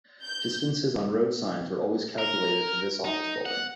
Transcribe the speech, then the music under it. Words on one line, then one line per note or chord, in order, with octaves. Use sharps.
Distances on road signs are always calculated to this office building.
G6
A#4
D#4
F#5